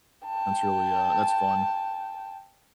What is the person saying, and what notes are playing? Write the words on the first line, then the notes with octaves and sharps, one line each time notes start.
That's really, uh, that's fun,
G5 A5